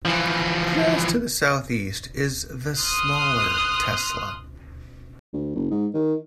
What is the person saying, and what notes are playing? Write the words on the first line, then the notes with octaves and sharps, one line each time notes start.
Just to the southeast is the smaller Tesla.
E3 F3
C6 D#6 F6 F#6
D2
F#1
G#2
D#3